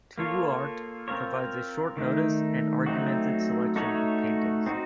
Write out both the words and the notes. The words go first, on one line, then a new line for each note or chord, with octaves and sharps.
Towooart provides a short notice and an argumented selection of paintings.
A#3 F4 A4 C#5
C4 F4 A#4 C#5
D#3 A3 D#4
F#3 A3 C4 D#4 F#4
A3 D#4 F#4 A4 C#5
C4 D#4 F#4